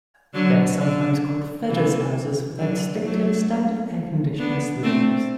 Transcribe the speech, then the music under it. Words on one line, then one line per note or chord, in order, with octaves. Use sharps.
They are sometimes called "Fedders Houses" for their distinctive, standard air conditioner sleeves.
D3 F#3
D3
C3 E3
D3 F#3
F#3 A3
B3 D4
A3 C4